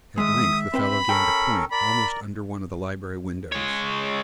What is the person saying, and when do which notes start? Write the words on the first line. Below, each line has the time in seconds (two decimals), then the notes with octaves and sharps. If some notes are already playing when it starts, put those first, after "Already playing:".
At length the fellow gained a point almost under one of the library windows.
0.18 D#3 G#3 E5 D#6
0.74 C4 B4 G5 B5
1.09 C#4 A4 A#4 G5
1.72 A#4 D5 B5
3.52 G#3 C#5